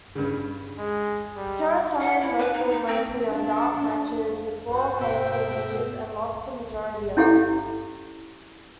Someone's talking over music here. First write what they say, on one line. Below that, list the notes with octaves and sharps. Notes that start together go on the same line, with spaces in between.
Serotonin wrestled mostly on dark matches before pay-per-views and lost the majority of them.
G2 C#3
G#3
G3
F#5
E4
B4
D#4
D#4
C4
D4
F#4 C5
B2 E5 G5
C#4 E4 G4 A4 F5